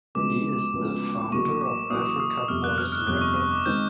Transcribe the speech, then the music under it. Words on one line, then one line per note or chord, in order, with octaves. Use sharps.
He is the founder of Africa boyz records.
D2 C#3 F3 G#3 B3 D6
D2 C#3 F3 G#3 B3
A1 A2 F#3 A#3 C#6
D6
A1 A2 F#3 A#3 D#6
D#6
G1 F2 C3 F6
F#6
F6
F6
G1 F2 C3 F#6
C#6
C#6
D6
D#3 G#3 C4 D#4 G6